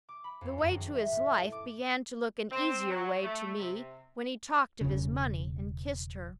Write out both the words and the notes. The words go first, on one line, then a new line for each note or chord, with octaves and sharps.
The way to his life began to look an easier way to me when he talked of his money, and kissed her.
D6
B5
F2
F#2
G#1
E5
A2
A4
D6
C4
F#3
A3
C3
E1 C#3